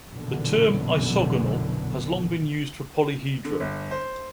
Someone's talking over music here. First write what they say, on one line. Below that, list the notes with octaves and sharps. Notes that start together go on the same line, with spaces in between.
The term isogonal has long been used for polyhedra.
A#1 F#2 B2 D3 E3 B3
D3
G1
C5